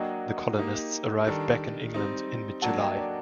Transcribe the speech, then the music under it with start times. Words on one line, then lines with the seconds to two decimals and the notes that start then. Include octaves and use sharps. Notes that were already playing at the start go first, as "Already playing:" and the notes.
The colonists arrived back in England in mid-July.
Already playing: F#3 A#3 D4 F#4 D#5 G5
0.58 A#3 D#4 G4
1.27 D#3 G3 D4 A4
1.94 G3 C4 D#4
2.62 F#3 A#3 D4 F#5 A5
2.79 D#5 G5
2.97 D5